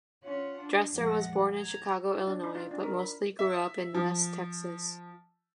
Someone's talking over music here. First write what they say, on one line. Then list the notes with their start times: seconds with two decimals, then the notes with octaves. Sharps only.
Dresser was born in Chicago, Illinois, but mostly grew up in West Texas.
0.23 C#4 F4 F#5
0.59 D4
0.93 F2 A#2 F3 G#3 F#5 A#6
1.52 A#5 G#6
2.13 F4
2.27 D4
2.43 D#4
2.55 F4
2.71 D4
2.83 A#4
2.98 B5
3.39 E5
3.94 F3